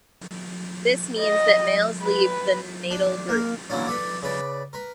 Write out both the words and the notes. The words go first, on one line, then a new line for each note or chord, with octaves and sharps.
This means that males leave the natal group.
D#5
B4
D4
A#3
D3 E3 F#3 A#3 C#4 D4
D4 A4 B4
C#3 B4 D5
A#4 B4